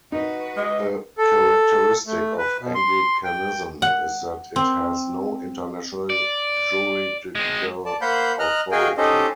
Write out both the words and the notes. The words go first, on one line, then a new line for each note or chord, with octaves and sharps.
A characteristic of Anglicanism is that it has no international juridical authority.
D#4 F#4 B4
G#3 D#5
A4
A3
B4
B2
C6
G5
F#5
C4
D5
G#3 C4
D5 A5
A#3 C5 F5 F#5 B5 G6
D#5 A#5 F6 F#6
F#4 G#4 D#5 F5 G5 G#5
C#4 D#4 G4 A4 C5 D#5